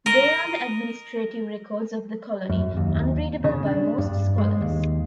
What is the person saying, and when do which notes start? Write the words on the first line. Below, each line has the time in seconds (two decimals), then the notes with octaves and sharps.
They are the administrative records of the colony, unreadable by most scholars.
0.06 A#4 D#5
2.50 F#2
2.77 D#2
3.44 C#3
3.66 D4
3.98 G2
4.38 G#3
4.61 D#2